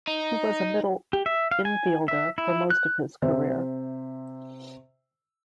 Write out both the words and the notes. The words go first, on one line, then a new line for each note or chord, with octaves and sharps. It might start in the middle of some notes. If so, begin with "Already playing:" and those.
He was a middle infielder for most of his career.
D#4
G4
E5
F5
G#5
E5
E4
F#6
C3 C5 E5